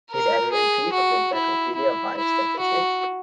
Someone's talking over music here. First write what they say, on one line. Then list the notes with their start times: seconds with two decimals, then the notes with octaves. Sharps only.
He is editor-in-chief of the "Encyclopedia of Biostatistics".
0.11 A#4
0.52 G#4
0.93 F#4
1.34 E4
1.76 E4
2.17 E4
2.59 F#4